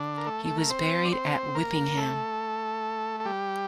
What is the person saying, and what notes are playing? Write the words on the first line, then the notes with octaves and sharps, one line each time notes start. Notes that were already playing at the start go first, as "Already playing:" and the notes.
He was buried at Whippingham.
Already playing: D3 D4
A#4
A3 A4
A4
A#4
C4 C5
D5
C4 C5
A#3 A#4
A3 A4
A4
G3 G4